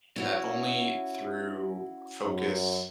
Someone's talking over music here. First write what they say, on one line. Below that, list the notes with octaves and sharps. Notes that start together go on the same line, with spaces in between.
And that only through focus
C#4 E4 F#4
F#2